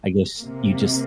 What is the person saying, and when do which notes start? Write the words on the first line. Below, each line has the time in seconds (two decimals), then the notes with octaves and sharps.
I guess you just
0.39 C3 A#3